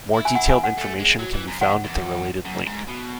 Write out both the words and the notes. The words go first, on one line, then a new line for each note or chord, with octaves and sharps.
More detailed information can be found at the related link.
E4
G#5
F#5
G#5
F#5
A3
G#3
F#3
E3
F#2
E2 F#5
E2
F#2
G#2
B2